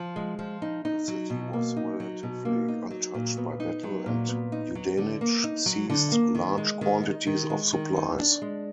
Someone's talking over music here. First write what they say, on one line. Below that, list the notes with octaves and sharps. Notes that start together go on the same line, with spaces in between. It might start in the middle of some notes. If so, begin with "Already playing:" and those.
The city was relatively untouched by battle and Yudenich seized large quantities of supplies.
Already playing: F3
G#3
F3
D#4
D#4
F#3
B2
A#3
D#4
F#3
B2
A#3
D#4
F#3
A#2
B3
D#4
F#3
A#2
B3
D#4
F#3
D3
A#3
D#4
F#3
D3
A#3
D#3
G#3
D#3
D#4
D#3
G#3
D#3
D#4
D4
G#3